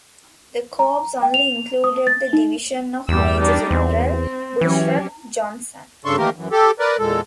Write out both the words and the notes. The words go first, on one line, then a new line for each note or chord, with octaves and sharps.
The corps only included the division of Major General Bushrod Johnson.
A#5
G5
F7
D#6
A6
D#4
E2 G2 G3 E6
G3 D4 D#4
E2 C4
C4
E3 F#3 C#4 G4
G2 C#3 D4 A4 C6 C#6
D#3 E3 A3 A#3 G4 A#4
F#2 E3
G4 A4
A#4 B4 D5
E2 A#2 G#3 A4